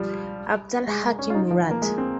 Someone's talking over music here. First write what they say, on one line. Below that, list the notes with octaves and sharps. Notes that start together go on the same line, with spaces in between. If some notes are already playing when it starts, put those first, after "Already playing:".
Abdal Hakim Murad.
Already playing: F3 G3
G#3
G#3
C#4
F4
D#4
F3
A#3
G#3
C4